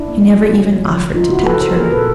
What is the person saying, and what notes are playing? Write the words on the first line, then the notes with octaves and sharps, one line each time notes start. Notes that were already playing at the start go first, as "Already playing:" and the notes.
He never even offered to touch her.
Already playing: D4 E4
A#3
F#3
F#3
C#3
F3
C#3
F3
F3 D#4 F4
C#3 E4 F#4
F3 A4 B4
C#3 A#4 C5
A#3 G#4 A#4
A#2 A4 B4